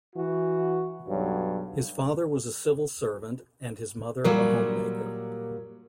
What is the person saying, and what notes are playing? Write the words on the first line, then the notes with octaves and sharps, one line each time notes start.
His father was a civil servant and his mother, a homemaker.
E3 F#4
B1 G2 F#3
A#2 F#3 G3 A#4